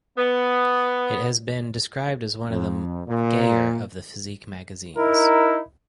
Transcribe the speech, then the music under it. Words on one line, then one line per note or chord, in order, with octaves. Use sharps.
It has been described as one of the "gayer" of the physique magazines.
B3
F2
A#2
D#4 E4 A#4